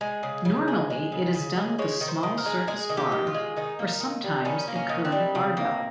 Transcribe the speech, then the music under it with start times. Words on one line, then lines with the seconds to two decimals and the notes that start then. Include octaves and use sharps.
Normally it is done with a small surface bar or sometimes a curved barbell.
0.01 G#3
0.23 C#3
0.45 C#3
0.68 G#3
0.90 G#3
1.12 C#3
1.34 C#3
1.57 G#3
1.78 G#3 C#5
2.01 D#3
2.08 C5
2.23 D#3
2.37 A#4
2.46 G#3
2.68 G#3 G#4
2.89 D#3
2.97 G4
3.12 D#3
3.27 F4
3.34 G#3
3.56 D#3 D#4
3.79 A#3
4.00 D#3
4.24 G3
4.45 D#3 C#4
4.68 A#3
4.76 C#4
4.89 D#3
5.05 C4
5.12 G3
5.35 C#3
5.57 A#3